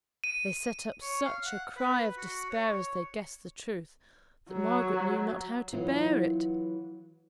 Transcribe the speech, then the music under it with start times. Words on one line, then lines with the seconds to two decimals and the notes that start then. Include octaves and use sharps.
They set up such a cry of despair as they guessed the truth, that Margaret knew not how to bear it.
0.24 D#7
1.02 C#5
1.25 F5
1.46 F#5
1.77 B4
2.18 F#4
2.50 C#5
2.73 C#5
4.50 F#3
5.73 E3 F#3 B3 F4